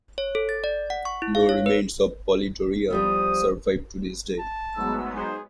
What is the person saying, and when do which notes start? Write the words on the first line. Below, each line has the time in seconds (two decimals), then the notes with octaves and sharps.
No remains of Polydorion survive to this day.
0.18 C#5
0.35 A4
0.49 A6
0.64 D5
0.90 F#5
1.05 C#6
1.22 E4
1.35 F5
1.49 C#5
1.66 B4
2.90 F3 G3 B3 D#6
4.39 A5
4.75 G#2 F#3 G#3 A3 B3 E6
5.16 D#4 G#4 C5